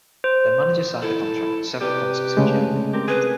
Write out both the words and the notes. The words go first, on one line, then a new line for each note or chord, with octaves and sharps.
Their manager signed a contract for several concerts in Germany.
C5
E4 A4
C3 G4 B4 D5
C#3 G#3 A3
C4 G4 A#4
G#4 B4